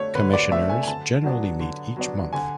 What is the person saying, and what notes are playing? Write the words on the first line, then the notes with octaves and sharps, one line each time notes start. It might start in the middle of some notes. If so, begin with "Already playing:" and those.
Commissioners generally meet each month.
Already playing: D3 A3 D4 C#5
D3 B4
D5
A3 D4 E5
G#5
G#5
D3 A5
F#3 B3 D4
D3
F#3 B3 D4
D3 G#5